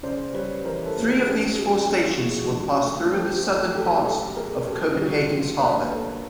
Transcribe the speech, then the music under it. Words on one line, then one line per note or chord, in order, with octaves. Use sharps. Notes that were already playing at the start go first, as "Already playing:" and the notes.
Three of these four stations will pass through the southern parts of Copenhagen's harbour.
C#3 C5 D5
G3 B4 C#5
E3 A#4 C5
A4 B4
A#3
G#4 A#4
C#4 G4 A4
G#3 F#4 G#4
G#3 F4 G4
E4 F#4
F3
F#4 G#4
D3
A3
C4 G4 A4
A3
F#3 G4 A4
F#3 G4 A4
B3 G#4 A#4
F#3 G4 A4
G3 F#4 G#4
D3 F4 G4
A#3 B4 C#5
A#3 A4 B4